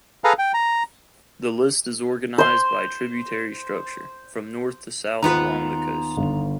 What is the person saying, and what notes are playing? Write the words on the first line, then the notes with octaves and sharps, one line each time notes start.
The list is organized by tributary structure, from north to south along the coast.
G#4 A4 B4 F5 A#5
G5
A#5
C5 C6
D#2 D#3 B3 F4 B4 A#5
G1